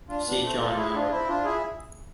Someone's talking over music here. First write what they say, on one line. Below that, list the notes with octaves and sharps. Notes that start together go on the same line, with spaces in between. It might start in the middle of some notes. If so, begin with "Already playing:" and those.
See John Hour.
D4 F4
B3 D4
A3 C4
F4 A4
E4 G#4
D4 F4
C4 E4
D4 F4
E4 G#4